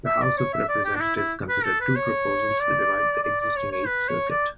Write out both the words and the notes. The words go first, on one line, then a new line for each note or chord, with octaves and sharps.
The House of Representatives considered two proposals to divide the existing Eighth Circuit.
E5
D5
C#5
E5
D5
G4
D4
E4
E4
B4
A4
B4
C#5
D5
D5
D5
C#5
C#5
B4
C#5
D5